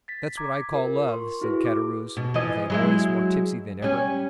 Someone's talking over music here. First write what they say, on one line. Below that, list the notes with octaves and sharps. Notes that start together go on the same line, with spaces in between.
"That's what I call love!" said Caderousse with a voice more tipsy than ever.
A6 B6
A#5 D6 G#6
F4 A#4
C6 C#6
E4 F#4 G#4 B4
D6
B2
E3 F3 D#5
F#3 G#3 E4
G3 C#4